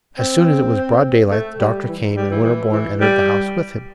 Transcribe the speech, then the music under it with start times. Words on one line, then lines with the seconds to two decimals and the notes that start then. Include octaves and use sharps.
As soon as it was broad daylight the doctor came, and Winterborne entered the house with him.
0.18 C4
1.31 A3
1.60 G3
1.88 E3
2.17 G3
2.31 E3
2.44 E3
2.73 E3
3.01 G3